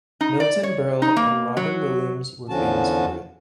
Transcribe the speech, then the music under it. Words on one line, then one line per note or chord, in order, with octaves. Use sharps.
Milton Berle and Robin Williams were famous for it.
D#4
D5
C#5
D#4
A#3
F#3
E2 D3 F3 C#4 F#4 A5